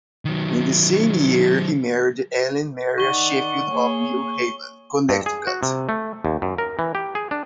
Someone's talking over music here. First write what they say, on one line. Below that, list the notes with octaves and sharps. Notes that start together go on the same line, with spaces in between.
In the same year he married Ellen Maria Sheffield of New Haven, Connecticut.
D#3 F#3
D#3 D5 F#5 C#6 G7
A#3 G#4 C#5
G2
G#4
F#4
C3
A3
D#2
F#2
A#4
E3
G4
G#4
D4